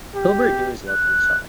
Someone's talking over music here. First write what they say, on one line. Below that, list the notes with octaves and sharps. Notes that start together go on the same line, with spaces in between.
Hilbert knew his luck when he saw it.
G4
F#6